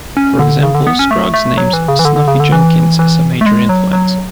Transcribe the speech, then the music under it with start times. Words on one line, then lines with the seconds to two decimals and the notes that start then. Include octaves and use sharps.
For example, Scruggs names Snuffy Jenkins as a major influence.
0.17 C#4
0.39 D3
0.63 C#3
0.75 D3
0.87 B3
0.99 C#4
1.11 A3
1.34 A3
1.58 F#3
1.73 E3
1.88 C#3
1.99 E3
2.05 D3
2.16 D3
2.28 C#3
2.40 D3
2.52 E3
2.99 E3
3.41 A3
3.46 G#3
3.69 F#3
3.93 F#3